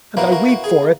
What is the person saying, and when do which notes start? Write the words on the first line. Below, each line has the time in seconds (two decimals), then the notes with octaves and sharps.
And I weep for it!
0.17 B2 A#3 C#4 E4 F#4 A#4
0.32 F#4 A#4
0.49 F#4
0.64 G#4